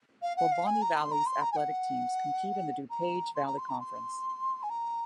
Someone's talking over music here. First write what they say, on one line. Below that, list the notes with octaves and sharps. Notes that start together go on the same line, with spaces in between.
Waubonie Valley's athletic teams compete in the DuPage Valley Conference.
F5
F#5
F5
G#5
A#5
C6
A#5
C6
A#5
G#5
F#5
A#5
C6
A#5
C6
A#5
C6
G#5
A#5